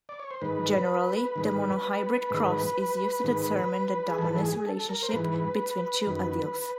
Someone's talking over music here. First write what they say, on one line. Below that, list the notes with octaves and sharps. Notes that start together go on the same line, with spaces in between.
Generally, the monohybrid cross is used to determine the dominance relationship between two alleles.
D5
C#5
C5
G#2 D#3 B4
G#2 D#3
G#2 D#3
G#2 D#3
G#4
G#2 E3 A4
A4
G#4
G#4
A4
A#4
C5
G#2 E3 B4
F#2 D#3